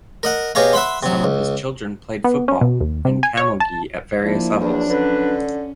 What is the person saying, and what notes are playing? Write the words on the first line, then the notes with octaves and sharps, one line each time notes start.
Some of his children played football and camogie at various levels.
A#4 D#5 F#5
B2 G4 G#4 C#5 F5 A#5
E5 F#5 B5 C6
C3 F#3
C#2
B3
C#4
B2
D#2
C3
G#5
C#5
A5
F3 A#3 D4 E4
E2 F#3 D4
D3 C#4 B4